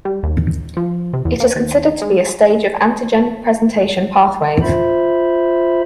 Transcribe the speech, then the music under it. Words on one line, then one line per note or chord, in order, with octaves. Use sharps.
It is considered to be a stage of antigen presentation pathways.
G3
D#2
F3
C3
E2
A#3
D#2
G#3
F4 C5 E5 B5